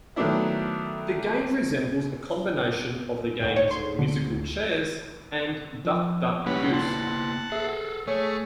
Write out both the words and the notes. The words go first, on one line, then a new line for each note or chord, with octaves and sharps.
The game resembles a combination of the games Musical Chairs and Duck Duck Goose.
D#3 F#3 A3 B3 D4 E4
D2 G#2
C#5
C6
D3
F3
G3 A#3 B3 C#4 E4 B4 F#5
F#5 A5 C6
G#4 A4 E5
A3 G#4 C#5 C#6